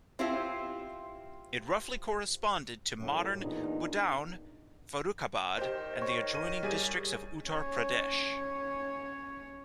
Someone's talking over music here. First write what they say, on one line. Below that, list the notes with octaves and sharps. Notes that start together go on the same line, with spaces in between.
It roughly corresponded to modern Budaun, Farrukhabad and the adjoining districts of Uttar Pradesh.
C4 E4 F4 G4 C5
F#2 A2
E2 A#2 D4 D#4
D#3 G4 C5
C#5 C#6
D#7
G3 G#4 D#7
C#4 C#5